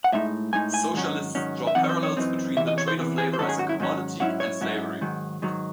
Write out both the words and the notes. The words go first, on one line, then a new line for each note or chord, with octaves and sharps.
Socialists draw parallels between the trade of labor as a commodity and slavery.
F#5
A2 G#3 D#4 E5
A2 G#3 D#4 G#5
G#5
G#2 D#3 F#3 C#4
G#2 D#3 F#3 C#4
E5
F#2 E3 C4 D#4 F#5
C#5
C5
C#5
F#2 E3 C4 D#4
E2 C3 E3 E5
D#5
C#5
C5
E2 C3 E3
G#4
C5
G#2 D#3 F#3 C#4 A4
G#4
F#4
E4
G#2 D#3 F#3 C#4
G#2 F#3 C#4 E4 F#4
C#5
G#2 F#3 C#4 E4
G#2 D#3 F#3
G#2 D#3 F#3